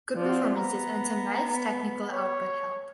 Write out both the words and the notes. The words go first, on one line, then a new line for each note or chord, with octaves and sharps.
Good performances and some nice technical output help.
F3 C4 D5
B3 A#5
C#5